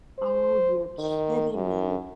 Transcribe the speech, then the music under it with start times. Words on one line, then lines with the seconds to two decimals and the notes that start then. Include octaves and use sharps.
Oh, you're kidding me.
0.19 C5
0.99 D#3
1.54 F#2